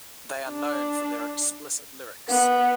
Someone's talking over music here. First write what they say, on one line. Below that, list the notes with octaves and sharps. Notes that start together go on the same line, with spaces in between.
They are known for their explicit lyrics.
D4
B3